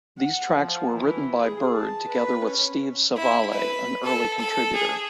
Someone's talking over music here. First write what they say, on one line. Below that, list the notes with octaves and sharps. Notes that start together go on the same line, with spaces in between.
These tracks were written by Bird together with Steve Savale, an early contributor.
F#5
F3
E3
G#4
A5
B4
C#4
E4
B4
A4
A4
G#4